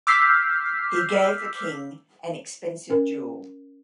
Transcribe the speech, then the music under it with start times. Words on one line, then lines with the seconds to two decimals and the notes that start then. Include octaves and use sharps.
He gave the king an expensive jewel.
0.07 D6 E6 F6 G6 B6 C7
2.90 C#4 A#4